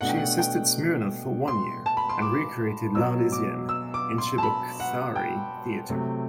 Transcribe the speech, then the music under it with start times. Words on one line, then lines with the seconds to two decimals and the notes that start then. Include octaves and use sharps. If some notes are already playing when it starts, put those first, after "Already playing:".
She assisted Smirnov for one year and recreated "L'Arlesienne" in Cheboksary Theatre.
0.01 B2 A3 D4 F#5
0.09 G5
0.17 F#5
0.38 G5
1.48 C6
1.86 A5
1.97 B5
2.09 C6
2.22 D6
2.95 B2 F#3 B3 E6
3.32 D6
3.69 E6
3.94 D6
4.18 C6
4.38 A5
4.43 B5
4.80 F#5
5.16 G5
5.89 C3 F#3 A3